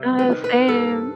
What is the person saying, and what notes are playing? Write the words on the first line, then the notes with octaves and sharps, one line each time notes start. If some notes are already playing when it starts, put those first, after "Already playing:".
Uh, same.
Already playing: C3 G3
B4
D#3
B4
G2 A4